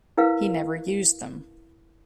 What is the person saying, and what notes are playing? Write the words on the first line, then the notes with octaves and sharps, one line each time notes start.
He never used them.
E4 A#4 B4 F5